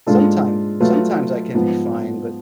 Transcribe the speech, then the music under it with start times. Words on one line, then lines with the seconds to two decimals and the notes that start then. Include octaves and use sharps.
Sometime sometimes I can be fine but,
0.07 G#2 G#3 D4 F4 A4
0.80 F#3 A3 F4 B4
1.55 G#2 F3 B3